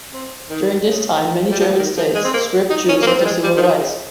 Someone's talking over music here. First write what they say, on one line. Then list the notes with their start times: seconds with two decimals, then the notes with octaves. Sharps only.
During this time, many German states stripped Jews of their civil rights.
0.13 C4
0.50 D#3
0.86 C#3
1.51 G3
1.60 F3
1.78 D#3
1.97 F3
2.15 G#3
2.25 C4
2.34 A#3
2.70 D#4
2.89 C#4
3.02 A#3
3.07 C4
3.20 G3
3.25 G#3
3.43 G3
3.57 D#3
3.62 F3
3.80 C#3